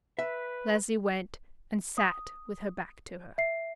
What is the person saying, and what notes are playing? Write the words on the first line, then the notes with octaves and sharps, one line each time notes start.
Leslie went and sat with her back to her.
B4 E5
D#6
E5 C7